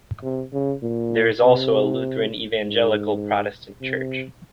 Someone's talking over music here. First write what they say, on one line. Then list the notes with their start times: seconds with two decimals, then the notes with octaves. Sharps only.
There is also a Lutheran-Evangelical Protestant church.
0.23 C3
0.53 C#3
0.82 A#2
1.42 C3
2.62 G#2
3.81 C3